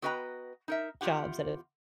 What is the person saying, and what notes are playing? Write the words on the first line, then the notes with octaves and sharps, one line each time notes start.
jobs that have
B3 F#4 B4 D#5 G5 A#5
D#4 A#4 E5
E2 F#3 F4 G4 F#5